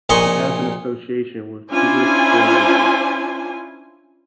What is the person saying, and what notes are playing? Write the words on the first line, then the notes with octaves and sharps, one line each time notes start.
It has an association with tuberous sclerosis.
A#1 A#2 D#5 G#5 C6 C#6
C#4 D4 E4 F4 C5 G#5